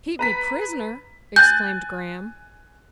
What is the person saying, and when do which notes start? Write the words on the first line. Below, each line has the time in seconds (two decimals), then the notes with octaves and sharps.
"Keep me prisoner!" exclaimed Graham.
0.19 B4 A#5 B6
1.36 G#5 F#6 G6 A6